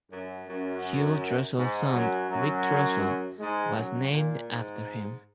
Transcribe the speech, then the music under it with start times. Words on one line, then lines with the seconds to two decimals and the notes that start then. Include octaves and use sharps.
Hugo Throssell's son Ric Throssell was named after him.
0.11 F#2
0.48 F#2
1.58 G#2
1.93 F#2 F#3
2.30 F#2 F#3
3.39 G#2 G#3
3.76 F#2 F#3
4.12 A#2
4.49 G#2